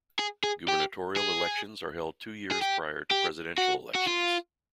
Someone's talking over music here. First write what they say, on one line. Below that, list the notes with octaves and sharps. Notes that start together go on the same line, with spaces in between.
Gubernatorial elections are held two years prior to presidential elections.
G#4
G#4
G4
G#4
G#4
G4
G4
F#4
F#4
F4